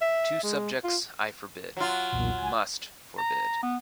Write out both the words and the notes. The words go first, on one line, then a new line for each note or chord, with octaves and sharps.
Two subjects I forbid — must forbid.
E5
G#3
F4
F#3 F4
B1 E2 A#2
C#2 G#5
A#5
B3